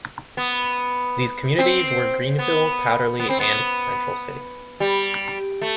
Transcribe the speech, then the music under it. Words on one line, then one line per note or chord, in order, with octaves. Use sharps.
These communities were Greenville, Powderly, and Central City.
B3
C4
B3
B3
C4
B3
G3
A3